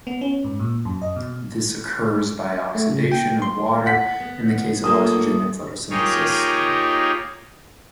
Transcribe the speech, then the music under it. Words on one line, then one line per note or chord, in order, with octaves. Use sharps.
This occurs by oxidation of water in the case of oxygenic photosynthesis.
B3
C#4
G#2
A#2
F#2
D#5
B2
A3
C#3
G5
C6
F#5 B6
B3
A3 A#3 F4 D#6
A#3 D#4 F4 G4 G#4 C#5